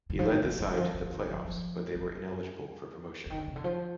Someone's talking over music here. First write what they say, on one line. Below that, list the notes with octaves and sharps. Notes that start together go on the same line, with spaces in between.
He led the side to the playoffs, but they were ineligible for promotion.
D3
F3
D#3
F3
G3
D#3
F3
F3
D#3
F3
F3
G3
D3
D#3
D3
C3
D3
F3